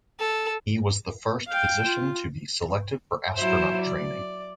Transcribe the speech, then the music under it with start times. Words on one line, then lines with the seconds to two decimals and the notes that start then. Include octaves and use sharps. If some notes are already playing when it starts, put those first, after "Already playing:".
He was the first physician to be selected for astronaut training.
0.19 A4
1.48 F5 G5
1.85 F4
3.36 F#3 E4 C5
3.82 D5